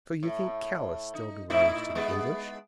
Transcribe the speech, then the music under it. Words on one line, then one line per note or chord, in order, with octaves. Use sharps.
"So you think Calais still belongs to the English?"
A2
D#4
A2 D#4 E4
G#3 B3